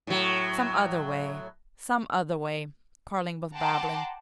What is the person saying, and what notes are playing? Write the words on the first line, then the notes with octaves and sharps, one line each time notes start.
"Some other way--some other way!" Carling was babbling.
A2 F#3
F#5 G5 A5 A#5 C6 D6